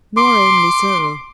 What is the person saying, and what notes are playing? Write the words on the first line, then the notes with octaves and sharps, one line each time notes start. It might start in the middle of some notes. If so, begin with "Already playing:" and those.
Nor only so.
C6 D6